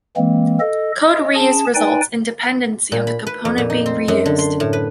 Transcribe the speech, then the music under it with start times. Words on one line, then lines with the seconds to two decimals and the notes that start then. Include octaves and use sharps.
Code reuse results in dependency on the component being reused.
0.16 E3 G#3 A#3 C4
0.60 A4 D#5
1.02 D#5
1.35 C#4 G#4 A5
1.75 D#4 B4 D5 G5 G#5
2.92 A#2
3.07 B5
3.27 B4
3.45 F2
3.58 A#2
3.70 D#4
3.86 C4
4.08 F#2
4.26 D3
4.39 C6
4.60 A2
4.73 B4